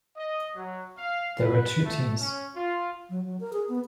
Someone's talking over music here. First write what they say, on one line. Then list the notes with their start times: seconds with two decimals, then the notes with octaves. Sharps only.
There were two teams.
0.17 D#5
0.55 F#3
0.98 F5
1.39 B4
1.84 A3
2.20 C#4
2.55 F4
3.10 F#3
3.26 F#3
3.40 A#4
3.53 G#4
3.69 B3